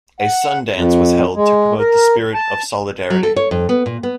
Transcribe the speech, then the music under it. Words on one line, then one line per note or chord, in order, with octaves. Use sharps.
A Sun Dance was held to promote the spirit of solidarity.
F#5
F2
G#3
A#4
A5
F#3
A4
C#5
F2
B3
A#2
B3